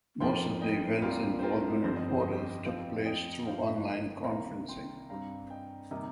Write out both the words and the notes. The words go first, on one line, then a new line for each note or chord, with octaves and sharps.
Most of the events involving reporters took place through online conferencing.
F1 F2 F3 A#3 G5 C6
D#5 G5
C2 A#2 G3 C4 F4 A#4
C5
F4 A#4
G1 F2 F3 C4 C5
D#5
C5
D#5
G4 C5
F2 F3 C4 C5 F5
D#5 G5
G1 G2 F3 C5 F5
A#4 D#5
C2 C3 D#3 A#3 F5 A#5
G5 C6
G2 G3 C4 F5 A#5
D#5 G5
C3 D#3 G3 A#3 A#4 D#5